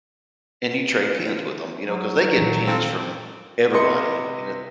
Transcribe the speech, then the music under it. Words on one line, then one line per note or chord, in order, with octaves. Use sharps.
and you trade pins with 'em, you know, 'cause they get pins from everybody. You know, th
F#3
A#2 D#3 E3
C4 F4 A4
C3 B4 D#5 C6 C#7